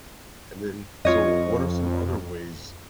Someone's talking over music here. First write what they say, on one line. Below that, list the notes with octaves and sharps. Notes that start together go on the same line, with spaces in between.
And, then, so what are some other ways,
F2 F4 C#5 D#5